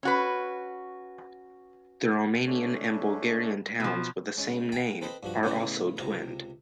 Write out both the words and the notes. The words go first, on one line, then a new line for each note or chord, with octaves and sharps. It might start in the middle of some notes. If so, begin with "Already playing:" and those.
The Romanian and Bulgarian towns with the same name are also twinned.
C#4 F#4 B4
A3 C#4 D4
B2 F3
G#3 C#4
F5 G5 G#5 A#5
C4 A4 B4 C5 D#5 B5
G2 F3 F#4
A2 C#3 B3 C#4 D#4 E4
C#2 C3 A#5